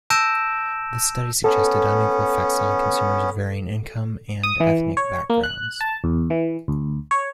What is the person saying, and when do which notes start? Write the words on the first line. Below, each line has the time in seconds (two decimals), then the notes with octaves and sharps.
The study suggested unequal effects on consumers of varying income and ethnic backgrounds.
0.10 A5 E6 G6 A#6 D7 E7
1.44 B3 C#4 A4
4.43 D#6
4.60 E3
4.97 C#5
5.30 A#3
5.43 F#6
5.81 A5
6.04 E2
6.30 E3
6.68 D2
7.11 C#5